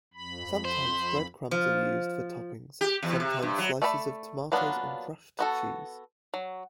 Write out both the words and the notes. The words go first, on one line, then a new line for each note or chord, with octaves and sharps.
Sometimes bread crumbs are used for toppings, sometimes slices of tomatoes and crushed cheese.
F2 B5
C5
F3
G4
E2
C3
G2
F#3
A3 A4 D5 A#5 B5
F#3 A#3 B3 D4 F4
B3 F#4 A4
F#3